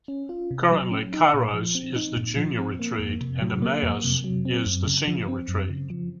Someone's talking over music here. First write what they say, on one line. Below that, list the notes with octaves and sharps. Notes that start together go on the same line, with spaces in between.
Currently, Kairos is the junior retreat and Emmaus is the senior retreat.
C#4
F4
C3
F#3
C#4
D#4
A#2
F3
C4
D#4
A#2
F3
C4
A#3
F2
C3
F#3
A#3
F2
C3
F#3
C4
F#2
C#3
F3
C4
F#2
C#3
F3